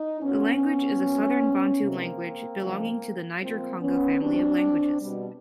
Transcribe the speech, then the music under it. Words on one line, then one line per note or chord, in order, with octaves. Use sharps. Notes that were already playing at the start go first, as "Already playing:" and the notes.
The language is a Southern Bantu language belonging to the Niger-Congo family of languages.
Already playing: D#4
A#2 F#3 B3 C#4
A#2 F#3
C3 E3 G#3 A#3 C4
C#3 F3 G#3
A#2 F3 G#3 A#3 C4
B3 C#4
B2 G3 C4 D4
B2 G3